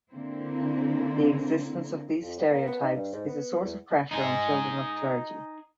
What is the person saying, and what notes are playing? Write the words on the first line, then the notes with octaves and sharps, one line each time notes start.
The existence of these stereotypes is a source of pressure on children of clergy.
D3 A#3 C4 E4
F2
G3
A#3
B3
D#4
G2
G#2
B3
E2
D#4 G#4